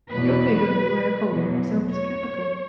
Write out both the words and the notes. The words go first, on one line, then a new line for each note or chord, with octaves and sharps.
Your figure and way of holding yourself is capital.
E2 B2 F#3 B4
E2 B2 F#3
C#5